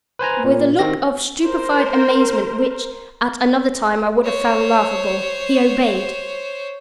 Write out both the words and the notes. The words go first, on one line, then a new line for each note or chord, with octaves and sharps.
With a look of stupefied amazement which, at another time I would have found laughable, he obeyed.
B4 C5 G#5 A#5
A#2
D#3 C4 A#6
A#4 C5
C5 C#5